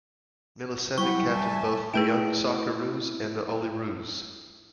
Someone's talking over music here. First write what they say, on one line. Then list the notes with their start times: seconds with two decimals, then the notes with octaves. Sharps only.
Milicevic captained both the Young Socceroos and Olyroos.
0.98 F#3 G3 E4 F#5 G5 B5 C#6
1.29 G3 E5 G#5 A5
1.94 A3 E4 G#4 B4 G5 D7